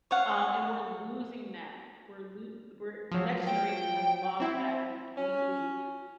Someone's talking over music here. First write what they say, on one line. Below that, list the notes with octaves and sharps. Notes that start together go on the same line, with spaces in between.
um, and we're losing that. We're lo we're the next generation has lost that completely,
C#5 F5 F#5
F3 F#3
G5
C4 E4
C#4